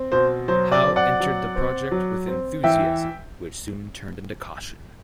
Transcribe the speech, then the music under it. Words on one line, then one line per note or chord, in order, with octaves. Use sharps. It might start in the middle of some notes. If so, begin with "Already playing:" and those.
Howe entered the project with enthusiasm which soon turned into caution.
Already playing: C4
B2 C5
F#3 C5
D5
C4
D5 F#5
F#3
C4
F#3
C4
E3 E5 G5